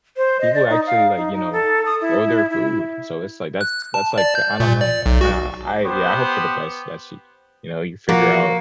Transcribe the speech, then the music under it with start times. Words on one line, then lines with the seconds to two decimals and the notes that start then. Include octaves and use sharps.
people actually, like, you know, grow their food, so it's, like, that's that's, like I don't know. I I yeah, hope for the best that she you know, you figure out
0.17 C5
0.41 D#5
0.54 D5
0.70 D#4
0.87 F5
1.16 D#4
1.34 D#4
1.53 A4
1.86 D#6
2.01 E4
2.50 E4
3.61 F#6
3.94 A5
4.18 D5
4.35 G6
4.60 A#2
4.81 D5
5.06 B1
5.21 F#4
5.84 B3 G4 C5
8.09 F3 A#3 F#4